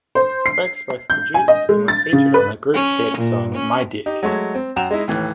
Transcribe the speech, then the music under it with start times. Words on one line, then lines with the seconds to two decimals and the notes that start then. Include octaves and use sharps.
Rex both produced and was featured on the group's hit song My Dick.
0.15 C5
0.46 C7
1.10 G6
1.34 G#5
1.48 D#5
1.69 G#3
1.88 A6
2.13 C#3
2.34 B4
2.74 C#4
3.18 A#2
3.55 C#4
4.06 D#4 G4
4.23 F#3 G#3 A3 C#5
4.55 C4
4.76 F#2 F#4 G5 A#5 E7 F7
4.91 G#3 D#4 E4
5.08 D#2 A2 E3